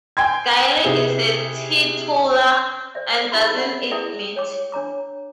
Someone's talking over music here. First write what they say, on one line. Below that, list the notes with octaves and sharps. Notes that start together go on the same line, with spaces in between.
Gayle is a teetotaller and doesn't eat meat.
G5 G#5 C6 G#6
C3 D#4 E4 G#4
C5 D5 E5
D#4 F#4 G#4 B5 C6
G4 D5 F#5
E4 G#4 D5 E5 G5 D#6
C#5 G5 D6
D4 C#5 A#5 D6